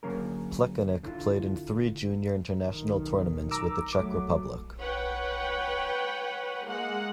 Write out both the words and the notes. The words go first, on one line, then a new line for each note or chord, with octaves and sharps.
Plekanec played in three junior international tournaments with the Czech Republic.
D3 F#3 A#3 C#4 G#4 A#4
D3 E4 F4
B1 D#3
A#5 D6 E6
F#3 A3 D6
B4 C#5 F#5 G5
G#3 A#3 F#5